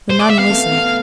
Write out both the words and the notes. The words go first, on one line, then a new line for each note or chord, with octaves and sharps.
The nun listened.
C5
D5
E5
B3 F5
A3
B3
B3
A3